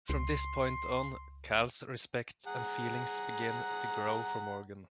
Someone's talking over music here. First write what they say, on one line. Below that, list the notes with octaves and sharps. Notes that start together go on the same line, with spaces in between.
From this point on Cal's respect and feelings begin to grow for Morgan.
C#2 C6
G#4 F#5 A#5